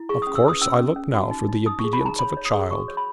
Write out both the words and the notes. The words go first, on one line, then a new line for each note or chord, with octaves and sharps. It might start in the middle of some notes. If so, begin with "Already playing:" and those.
Of course I look now for the obedience of a child.'
Already playing: E4
G#4 C#6
C#4 D#6
E6
B4 D#6
C#4 E6
C#4
C#4
F#4
D#4
D#4
D#4 D#6
G#4 C#6
B5
D#4 A#5
C#5 B5
C#5
D#6
G#4
F#4 C#6
C#5
B5